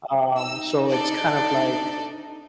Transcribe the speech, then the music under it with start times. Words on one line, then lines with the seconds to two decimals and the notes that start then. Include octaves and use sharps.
Um, so it's kind of like,
0.38 D#4 E6
0.88 D4 A4 D5